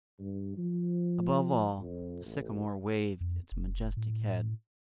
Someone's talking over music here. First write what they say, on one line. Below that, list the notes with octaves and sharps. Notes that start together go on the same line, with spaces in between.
Above all, the sycamore waved its majestic head.
G2
F3
F2
A1
F2
F1
A2